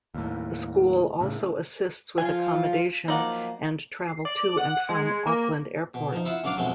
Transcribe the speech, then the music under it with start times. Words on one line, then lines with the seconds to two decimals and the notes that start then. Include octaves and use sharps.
The school also assists with accommodation and travel to and from Auckland Airport.
0.15 D#2 A2
1.21 A2 C#3
2.18 F3 F4 G#5
3.08 F3 F#3 A#3 D#4 D5 F#5
4.04 C7
4.25 D5
4.57 F#5
4.89 G#3
5.27 A#3
5.94 B2
6.13 F3 D#4
6.26 E4 F4 E5 F#5
6.44 A1 F#3 D4 D5 F5
6.57 F2 B2 F#3 G#3 A3